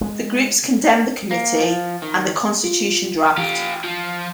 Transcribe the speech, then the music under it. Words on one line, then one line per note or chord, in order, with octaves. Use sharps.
The groups condemned the Committee and the constitution draft.
G#3
A#3
F3
D#3
F4
E3 F4 G4
F3